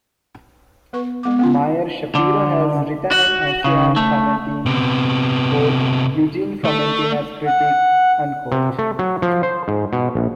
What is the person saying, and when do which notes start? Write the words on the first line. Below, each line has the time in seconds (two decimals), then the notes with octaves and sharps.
Meyer Schapiro has written an essay on Fromentin, "Eugene Fromentin as Critic".
0.93 B3 B4 C#6
1.23 G#3 B3 D6
1.39 B3 C#4 F4
2.15 D3
3.11 F#4
3.64 C#3
3.96 A3
4.66 C3 B3
6.64 A3
7.46 F#5
8.52 C3
8.79 A3
8.99 F#3
9.22 F3
9.43 C5
9.68 G#2
9.93 B2
10.15 A#1